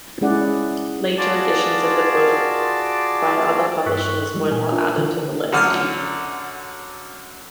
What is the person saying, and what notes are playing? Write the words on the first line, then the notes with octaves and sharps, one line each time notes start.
Later editions of the book by other publishers were not added to the list.
G#3 C#4 E4 G#4 D5 F#5
F4 F#4 G#4 D5 A5 D6
G2 C#6 E6 F#6 B6
E3 G3 G#3
A#2 G#5
D4 F4 A#4 E5
D3 E3
F#2 D3 F6